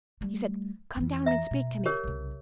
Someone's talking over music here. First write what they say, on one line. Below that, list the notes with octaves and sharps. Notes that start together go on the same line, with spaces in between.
He said, 'Come down and speak to me!
G3 A3
F2 E3
E5 A#5
B2
G4 A#4 C#5
C2 C#3